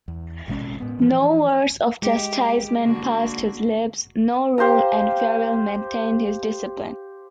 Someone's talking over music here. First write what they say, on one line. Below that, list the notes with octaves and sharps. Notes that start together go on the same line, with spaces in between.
No words of chastisement passed his lips; no rule and ferule maintained his discipline.
E2
A1 B2 G#3 C#4
A2 B3
E3 F3
G#3 G4
D3 A#3 F#4
G4 C5 F5 A#5